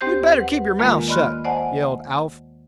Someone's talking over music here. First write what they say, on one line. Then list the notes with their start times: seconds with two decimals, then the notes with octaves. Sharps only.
"You better keep your mouth shut," yelled Alf.
0.01 D#2 C4 G4 C5 G6
0.39 B4 F#5
0.79 D#3 G#3 A#3 F4 A#4
1.08 D5 D#5 B5 C6 F6 F#6
1.44 C5 D5 D#5 F#5 G#5 A5